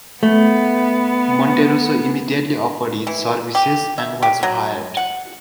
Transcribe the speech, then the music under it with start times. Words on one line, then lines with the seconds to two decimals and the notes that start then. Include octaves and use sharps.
Monterosso immediately offered his services and was hired.
0.23 A3 B3
3.07 E3
3.55 G4
3.98 E5
4.23 G4
4.43 F#3
4.97 F#5